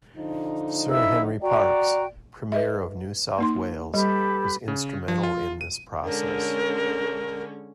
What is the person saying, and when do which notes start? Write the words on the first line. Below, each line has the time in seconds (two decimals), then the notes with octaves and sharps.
Sir Henry Parkes, Premier of New South Wales, was instrumental in this process.
0.17 D3 F3 D#4
0.90 E4 E5 E6
1.42 F#4 D5 G5 A#5
2.52 B4 D#5 E5
3.38 A#3 D#4 C6
3.94 G3 G4 A4 B4
4.68 C#3
5.08 F3
5.23 F4
5.61 D#7
6.05 D3 G#3 C#4 A#4